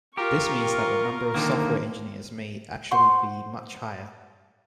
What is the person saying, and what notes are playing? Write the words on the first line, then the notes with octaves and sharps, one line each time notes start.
This means that the number of software engineers may actually be much higher.
F4 G4 A#4 C#6
D3 D#3 A#3
C5 F#5 C6 C#6